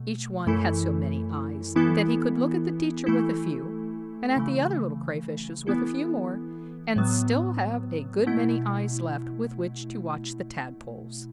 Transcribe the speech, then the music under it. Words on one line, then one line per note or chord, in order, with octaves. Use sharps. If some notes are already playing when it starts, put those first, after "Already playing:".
Each one had so many eyes that he could look at the teacher with a few, and at the other little Crayfishes with a few more, and still have a good many eyes left with which to watch the Tadpoles.
Already playing: B2 A3
F#2 E3 A3 E4 A4
E3 B3 E4 A4
E3 A3 E4 A4
C#3 E3 A3
E3 B3 E4 A4
A2 F#3 B3
B2 A3 E4